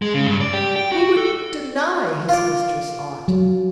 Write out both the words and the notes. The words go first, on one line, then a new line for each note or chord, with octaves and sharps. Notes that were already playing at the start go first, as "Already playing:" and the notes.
Who would deny his mistress aught?
G#3
C#3
G2
D5
G4
G5
F#4
A4
F4 D5
F#3